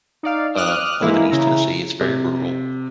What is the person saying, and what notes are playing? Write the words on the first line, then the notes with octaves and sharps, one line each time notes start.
um, I live in East Tennessee, it's very rural
D#4 D5 F5
D6 D#6 F6 F#6
E3 G#3 A#3 E4
C#3 E4 A#5
C3